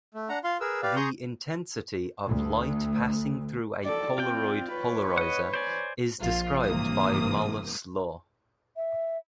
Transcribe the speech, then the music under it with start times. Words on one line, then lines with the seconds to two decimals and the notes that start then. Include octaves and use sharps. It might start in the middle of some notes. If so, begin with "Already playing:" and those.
The intensity of light passing through a Polaroid polarizer is described by Malus' law.
0.14 A3
0.29 D4 F#5 A#5
0.44 F4 F5 C6
0.60 G#4 A#4 B4 E6
0.83 G4 B4 D5 F5
0.96 G#4 A#5 C6 C#6 D#6 G6
2.27 D2
3.85 A4 D5
4.18 C4 F4 D5 G5
4.73 B4 C#5
5.18 D#5 F#5
5.54 C5 D5 G#5
6.21 A#1 F3 F4
6.64 G#1 G2 C3 E3 A#3 D#6
8.76 E5